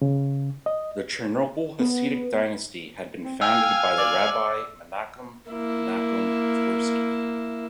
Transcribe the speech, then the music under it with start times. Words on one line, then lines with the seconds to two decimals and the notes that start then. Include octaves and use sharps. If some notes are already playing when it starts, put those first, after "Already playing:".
The Chernobyl Hasidic dynasty had been founded by Rabbi Menachem Nachum Twersky.
0.02 C#3
0.66 D#5
1.79 B3
3.24 C4
3.41 F5 G5 G#5 E6
3.98 D5 D6
5.50 A#3 E4